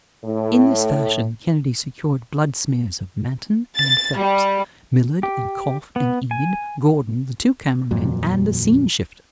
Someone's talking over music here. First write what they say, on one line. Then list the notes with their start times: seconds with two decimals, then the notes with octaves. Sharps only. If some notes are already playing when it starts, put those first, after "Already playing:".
In this fashion Kennedy secured blood smears of Manton and Phelps, Millard and Kauf and Enid, Gordon, the two camera men, and a scene shifter.
0.24 A2
3.76 A6
4.17 G3
5.23 G4
5.96 B3
6.31 G#5
7.91 D#1 F2 A#2 F#3